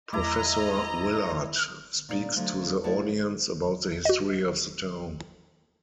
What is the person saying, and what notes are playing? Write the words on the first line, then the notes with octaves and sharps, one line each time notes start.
Professor Willard speaks to the audience about the history of the town.
E2 A3 E4 D#5 A#5 D6
A#2 C#4 D#4 A#4 D5
D3 F3 F#3 A3
F3 A3 E4 D5 F#5 A5
F#4 D#5